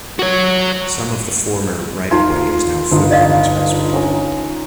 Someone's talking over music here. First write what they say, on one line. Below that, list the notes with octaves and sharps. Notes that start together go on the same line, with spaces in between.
Some of the former right-of-way is now Foothill Expressway.
F#4 C#5
D#4 F4 A#5
G1 D#4 F4
D5 D#5 F5
C#4 A#4 G#5